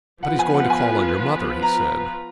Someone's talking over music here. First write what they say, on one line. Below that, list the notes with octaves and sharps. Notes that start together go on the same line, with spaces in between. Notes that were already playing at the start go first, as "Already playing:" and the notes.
"But he's going to call on your mother," he said.
F3 B3 F4 B4 F#5
G#5
F#5
G#5
A#5